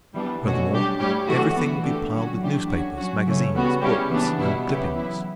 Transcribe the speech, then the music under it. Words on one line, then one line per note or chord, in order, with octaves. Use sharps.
Furthermore, everything will be piled with newspapers, magazines, books and clippings.
E3 G3 B3 D4
B2 A3 C#4 F#4
G3 D4 G4
A2 G3 C#4 G4
E3 A3 D4 F#4
E3 B3 F#4
D3 A3 D4 G4
F#3 C#4 F#4
A2 E3 A3 D4 G4
F#3 C#4 F#4
F#3 C#4 F#4
C#3 E3 A3 C#4
C#3 G3 B3 F#4
C#3 G3 C#4 E4 G4
E3 B3 D4
B2 G3 B3 E4
C#3 F#3 B3 E4 G4
E3 B3 E4